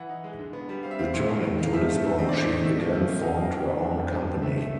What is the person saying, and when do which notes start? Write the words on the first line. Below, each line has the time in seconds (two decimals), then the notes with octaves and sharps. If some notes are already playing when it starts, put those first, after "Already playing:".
Returning to Lisbon she again formed her own company.
Already playing: E3 F#5
0.09 D#4
0.24 G#3
0.39 D3
0.53 B3
0.69 G3
0.83 C4 F5
0.91 E5
0.99 C4 F5
1.14 A#2
1.28 D#3
1.44 D#3
1.58 D#3 F5
1.73 F3 E5
1.89 A3
2.03 D3
2.18 C4 D#5
2.29 D5
2.33 A2
2.41 D5
2.49 A3 D#5
2.63 C3 E5
2.79 F3
2.93 F3
3.08 A#3
3.23 D#4
3.37 A#3
3.53 D4
3.68 A3
3.82 D4
3.98 F3
4.13 D3
4.27 C4
4.42 A3 E5
4.58 A3